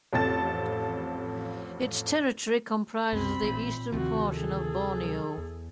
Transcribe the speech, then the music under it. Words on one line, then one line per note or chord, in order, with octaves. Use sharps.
Its territory comprises the eastern portion of Borneo.
A1 F2 F3 A4 A5 A6
C2 F#2 B2 C4 B5
A1 A#2
D2 C3 D#3 F3 C4 F#4
G#4 A4
F#3
E2